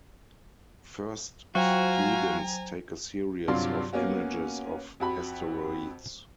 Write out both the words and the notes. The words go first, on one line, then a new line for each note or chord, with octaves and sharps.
First students take a series of images of asteroids.
F#3 F4 F#4 C5 G5 G#5 A#5
G2 C3 F#3 F4 D5 C6
A#3 B3 C#4 F#4
F2 F#4 B5